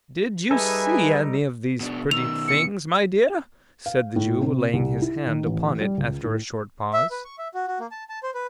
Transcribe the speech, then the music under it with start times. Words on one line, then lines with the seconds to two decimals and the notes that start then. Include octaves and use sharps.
'Did you see any of these pretty things, my dear?' said the Jew, laying his hand upon it after a short pause.
0.51 G3 D#4 G#4 A4 B4 E5 G#5
1.81 B2 D4
2.11 B2 D#3 E6 F7
2.48 C#7
3.86 F5
4.16 A2
4.41 C3
4.73 C2
5.02 E4
5.26 D#3
5.46 A1
5.81 G3
5.97 C#2
6.24 A2
6.93 E5
7.11 B4
7.25 C#6
7.38 E5
7.54 F#4
7.67 F#4
7.80 A#3
7.91 A5
8.09 A5
8.23 C5
8.34 B4